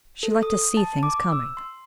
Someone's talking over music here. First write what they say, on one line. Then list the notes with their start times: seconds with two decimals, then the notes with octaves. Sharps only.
She liked to see things coming.
0.23 A4
0.43 D#6
0.77 A5
1.03 D6
1.32 E6
1.57 C6